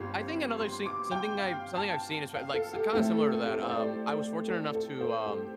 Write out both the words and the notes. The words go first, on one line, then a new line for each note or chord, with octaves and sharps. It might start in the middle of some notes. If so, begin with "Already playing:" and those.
I think another see something I've something I've seen is, pr like, s kinda similar to that. Um, I was fortunate enough to, um,
Already playing: G1 G2 G3 C4 F4 C6
C6
D6
G5
F5
A5
F5
A4
G4
A2 A3 C4 A4
A4
G4
A4
C5
D5
A4
A4
C5
G4